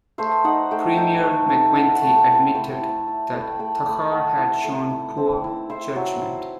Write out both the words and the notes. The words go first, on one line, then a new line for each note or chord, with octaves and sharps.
Premier McGuinty admitted that Takhar had shown poor judgement.
A3 C5 E5
D#4 D#5 F#5
A3 E5 G5
D#4 E5 G5
A3
A3
E4 F#5 A5
F#5 A5
A3
G5 B5
E4
A5 C6
A3 G5 B5
E4
E4
A3 G5 B5
A3 G5 B5
A3 G5 B5
A3 F#5 A5
E4
A3
E4
C4
E4
E4 C5 E5
F#3
E4